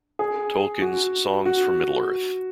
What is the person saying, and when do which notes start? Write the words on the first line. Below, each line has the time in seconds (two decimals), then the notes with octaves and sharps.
Tolkien's Songs from Middle-earth.
0.19 G#4
0.82 F#4
1.46 F#4